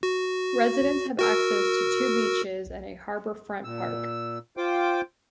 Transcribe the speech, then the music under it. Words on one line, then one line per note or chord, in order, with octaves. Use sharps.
Residents have access to two beaches and a harbor front park.
F#4
F#4 A#4 E6
A#2 E6
F4 C5 G5 D6